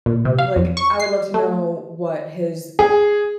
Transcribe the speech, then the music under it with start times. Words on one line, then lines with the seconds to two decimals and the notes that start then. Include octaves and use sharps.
Like, I would love to know what his
0.06 A#2
0.25 C3
0.39 F5
0.56 F2
0.77 C#6
1.00 C7
1.34 A3
2.79 G#4